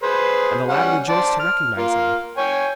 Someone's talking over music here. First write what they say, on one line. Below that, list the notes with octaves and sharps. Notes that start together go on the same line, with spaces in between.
And the lad rejoiced to recognise him.
G#4 B4 C5
G3 C#4 F#5
C5 D5 A5
F6
A#3 F4
C#5 G5 G#5